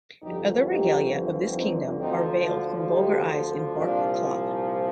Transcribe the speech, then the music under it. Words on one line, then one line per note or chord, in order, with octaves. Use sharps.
Other regalia of this kingdom are veiled from vulgar eyes in bark-cloth.
G1 F2 D3 F3 D#4 G4
D#4 G4
C4 D#4
D2 D3 F3 C4 D#4
D4 F4
D#4 G4
C2 A#2 F3 D4 F4